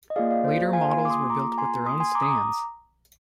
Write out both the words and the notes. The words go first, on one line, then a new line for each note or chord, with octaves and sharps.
Later models were built with their own stands.
D#5
A#3 F4 G#4 D5 F5
D5 F5
C5
C5
F5 G#5
G#5 C6
D6
C6 D#6
A#5 D6
A#5
G#5 C6
C6 D#6
G#5 C6
A#5 D6
D#6
A#5 D6